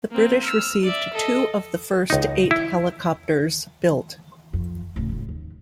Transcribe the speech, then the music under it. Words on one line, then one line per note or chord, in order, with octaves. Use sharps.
The British received two of the first eight helicopters built.
A#3 C4
E6 F6
D5 E5
A4 D#5
C#2 D#4
E4
F2
D1 C#3
C#2 G#2
D#2